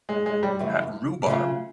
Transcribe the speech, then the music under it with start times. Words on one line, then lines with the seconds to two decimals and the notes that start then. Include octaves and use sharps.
At Rhubarb!
0.09 G#3
0.26 G#3
0.43 G3
0.59 F#2 C#3 E3 A3
1.26 C#3 F#3 A3 C#4 F4